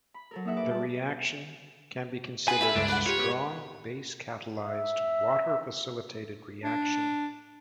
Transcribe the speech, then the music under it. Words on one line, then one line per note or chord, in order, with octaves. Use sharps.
The reaction can be considered as a strong-base-catalysed, water-facilitated reaction.
B5
F#3 A4 A#4
A#3 D#4 E4 G#4 E5 F#5
B4 D6
G3 A5
F4 G#4 B4 F#5 G#5
E4 A4 E5
C#2 G2 G#3 D4
B4 F#5
F4 G4 C#5
B3 G4
E5
D4